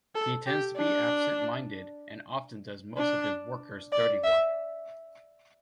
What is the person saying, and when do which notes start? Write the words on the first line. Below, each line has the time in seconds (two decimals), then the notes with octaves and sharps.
He tends to be absentminded and often does most of his worker's dirty work.
0.15 A4
0.46 G4
0.77 D4
2.97 D4
3.92 D5
4.24 E5